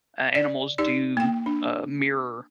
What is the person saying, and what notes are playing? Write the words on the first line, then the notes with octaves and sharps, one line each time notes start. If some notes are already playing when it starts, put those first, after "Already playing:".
a animals do, uh, mirror,
D5
D#4 G4 D5
A#3 G5
D4